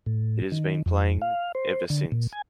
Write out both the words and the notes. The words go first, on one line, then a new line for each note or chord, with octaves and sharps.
It has been playing ever since.
A2
D#3
F2
F5
C5
D3
A#2
G#5